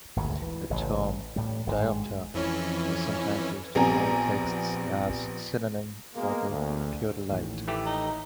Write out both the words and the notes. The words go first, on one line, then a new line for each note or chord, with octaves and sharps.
The term "diopter" was sometimes used in old texts as a synonym for theodolite.
G#1 D2 C#3
E3
A1 C#3
A2 G3
G#1 G2 C#3 G#3
F2 E3 C#4
A#1 G3 B3 C4 G#5 A#5
B2 G#3 A#3
D2
A1 D#3
E3 A3 G4
D#4